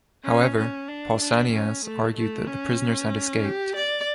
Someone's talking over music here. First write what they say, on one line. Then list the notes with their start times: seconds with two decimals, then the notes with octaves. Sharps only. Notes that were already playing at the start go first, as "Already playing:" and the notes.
However, Pausanias argued that the prisoners had escaped.
0.24 C#4
0.57 C#4
0.88 D4
1.20 D4
1.52 C#4
1.85 A3
2.16 A3
2.47 C#4
3.44 G4
3.76 D5